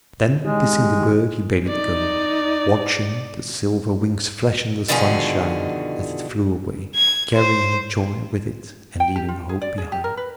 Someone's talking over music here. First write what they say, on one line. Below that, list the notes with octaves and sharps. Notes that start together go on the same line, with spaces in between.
Then kissing the bird he bade it go, watching the silver wings flash in the sunshine as it flew away, carrying joy with it and leaving hope behind.
D#3 G#3 G4
D#4 D5
B2 D3 D#3 F3 F#4 G#4
G#6
C5
G5
G4
F4
G#4
D5
G#4
G4
A#4
B4